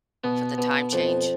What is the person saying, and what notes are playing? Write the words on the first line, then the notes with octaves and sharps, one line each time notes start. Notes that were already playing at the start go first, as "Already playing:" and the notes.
for the time change
B2 B3
B2
F2